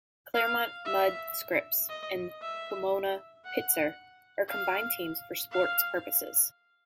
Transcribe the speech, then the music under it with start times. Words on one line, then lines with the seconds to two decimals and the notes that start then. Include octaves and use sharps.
Claremont-Mudd-Scripps and Pomona-Pitzer are combined teams for sports purposes.
0.34 F5
0.85 E5
1.89 D#5
2.41 E5
3.45 F#5
4.48 F5
5.51 F5